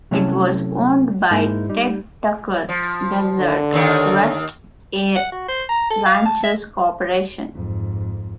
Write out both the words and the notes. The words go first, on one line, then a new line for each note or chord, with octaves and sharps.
It was owned by Ted Tucker's Desert West Air Ranchers Corporation.
C3 F#3 A3 C#4 E4 A4
G#2 G#3 A#3 D#4 E4
G3 D#4
F3
D3
D#2 D#3
F#5
F#4
C5
A#5
A4
F5
A5
E5
F2 G#2